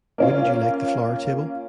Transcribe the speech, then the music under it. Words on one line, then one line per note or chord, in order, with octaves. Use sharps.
Wouldn't you like the flower-table?
A#3 C#4 F4